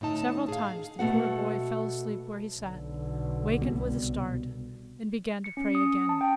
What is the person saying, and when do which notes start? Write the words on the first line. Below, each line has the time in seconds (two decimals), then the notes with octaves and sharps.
Several times the poor boy fell asleep where he sat, wakened with a start, and began to pray again.
0.01 A2 D3 D#4 A5
0.48 G#4 F5
0.99 B2 A3 F#4 F#5
2.56 B1 D3
3.62 C2 B2
5.44 C#7
5.57 C#4
5.75 D#6
5.95 C#4
6.09 A5
6.21 G5